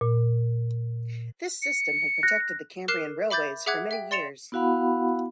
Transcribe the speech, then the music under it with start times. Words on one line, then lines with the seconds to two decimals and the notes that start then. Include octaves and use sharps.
This system had protected the Cambrian Railways for many years.
0.01 A#2
1.62 C#7
2.23 F#6 A#6
2.88 A#4 D6 F6 F#6 C7 E7
3.30 E5 B5 D6 G6 A6
3.66 G#4 E5 F#5 D6 F#6 G#6
3.91 E5 G5
4.11 D5 C6 A6 C#7 E7 F7
4.52 B3 E4 F#4 F5 F#5 B5